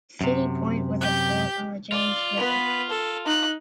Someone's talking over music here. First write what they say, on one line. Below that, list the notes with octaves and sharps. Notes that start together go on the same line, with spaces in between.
City Point was a port on the James River.
F#2 C3
G4 G6
F4 D5
B3 B4
A4
D#4 F#6